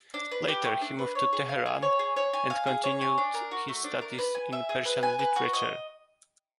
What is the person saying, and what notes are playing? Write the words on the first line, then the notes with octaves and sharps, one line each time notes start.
Later, he moved to Tehran and continued his studies in Persian literature.
D4
B4
G4
A3
D4
B4
C#5
G#4
F5
G#4
C#5
G#4
C#5
G#5
F5
G#4
C#5
G#5
D4
A#4
F#4
A3
D4
A#4
B4
G#5
E5
G#4
B4
G#5
B4
F#4
D#5